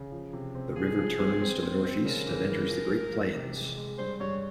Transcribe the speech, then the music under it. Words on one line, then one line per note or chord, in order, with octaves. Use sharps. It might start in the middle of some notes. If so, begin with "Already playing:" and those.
The river turns to the northeast and enters the Great Plains.
Already playing: C#3
F3
C3
C4
F3 G#4
F3
C4
C4
C4
C4
C#3 A#4
E3
E3
F3
F3
F3
C3
G#3
G#3
G2 C5
G2 C#5